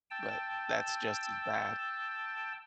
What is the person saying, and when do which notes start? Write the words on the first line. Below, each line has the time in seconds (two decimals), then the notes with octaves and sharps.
but that's just as bad.
0.11 G5 A5 E6